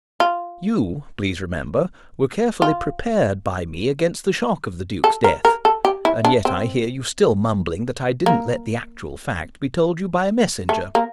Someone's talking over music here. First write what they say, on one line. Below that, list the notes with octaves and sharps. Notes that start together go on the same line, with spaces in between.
You, please remember, were carefully prepared by me against the shock of the Duke's death; and yet I hear you still mumbling that I didn't let the actual fact be told you by a Messenger.
F4
F4
A4
A#4
A#4
A4
G4
E4
D4
C4
A#3
A3
A#3